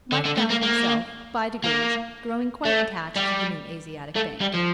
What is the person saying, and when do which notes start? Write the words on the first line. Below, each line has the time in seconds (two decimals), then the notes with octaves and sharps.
Mike found himself, by degrees, growing quite attached to the New Asiatic Bank.
0.12 D3
0.26 D3
0.38 A3
0.50 A#3
0.63 A#3
1.64 A#3
2.65 A3
3.16 G3
4.16 A3
4.41 G3
4.54 F3